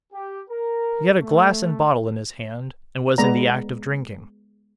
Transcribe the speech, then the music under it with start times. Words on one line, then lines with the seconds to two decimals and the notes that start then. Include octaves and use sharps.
He had a glass and bottle in his hand, and was in the act of drinking.
0.13 G4
0.50 A#4
1.20 A3
3.18 G#3 B3 B4 D5 A#5